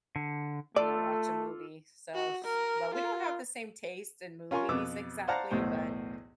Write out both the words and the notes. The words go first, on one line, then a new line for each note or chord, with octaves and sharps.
you know, watch a movie, so, if s but we don't have the same taste in movies exactly, but,
D3
A3 F4 A4 D5 D6
F#4
A#4
F4
C#4 F4 A#4 G#5 C6 C#6
F2 B2 B4 D6 E6
C5 D5 F5 F#5 A5 A#5
B1 E2 A2 C5